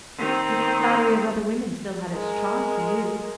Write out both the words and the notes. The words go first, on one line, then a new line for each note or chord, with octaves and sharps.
Even the flattery of other women still had its charm for you.
D#3 C4
G#3 A#4